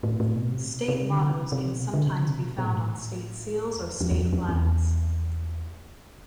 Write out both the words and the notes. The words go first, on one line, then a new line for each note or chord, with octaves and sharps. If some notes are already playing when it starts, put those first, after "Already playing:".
State mottos can sometimes be found on state seals or state flags.
A2
A2
B2
C3
C3
D3
C3
C3
B2
D3
C3
D3
C3
B2
B2
A2
G#2
A2
E2
F2
F2
E2
F2
F2
E2